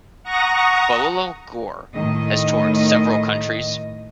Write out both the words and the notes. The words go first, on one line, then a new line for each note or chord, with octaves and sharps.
Babulal Gaur has toured several countries.
F#5 A#5 C#6 D#6 A#6
A2 D#3 D#5